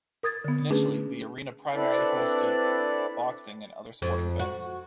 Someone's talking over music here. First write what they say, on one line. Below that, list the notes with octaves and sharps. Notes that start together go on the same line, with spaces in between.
Initially, the arena primarily hosted boxing and other sporting events.
A#4 D#6 G#6 A6
D3 B3
A3 C#4 D4 G#4 B4
C4 D4 E4 A4 B4 D5
F2
F#4